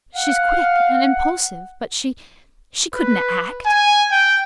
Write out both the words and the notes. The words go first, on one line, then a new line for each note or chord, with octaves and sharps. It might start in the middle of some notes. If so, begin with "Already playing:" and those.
She's quick and impulsive, but she--she couldn't act.
F5 F#5
B4
G#5
G5